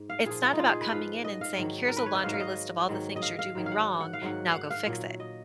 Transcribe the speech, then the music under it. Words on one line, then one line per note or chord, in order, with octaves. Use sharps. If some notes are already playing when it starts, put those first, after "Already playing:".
It's not about coming in and saying, "Here's a laundry list of all the things you're doing wrong. Now go fix it."
Already playing: G#2
F5
A#2 F3 G#4
F4
D#4
F4
G#4
B4
G#2 F3 F5
D#5
F5
G#2 D#3 F#3
A#4
B4
C#5
D#5
G#2 F#3 F5
F5
D#5
G#2 D#3 F#3
D#5
F5
F5
G#2 D#3 F#3
F5
F#5
F#5
F5
G#2 D#3 F#3 F#5
F5
F#5
F5
A#2 F#3
D#5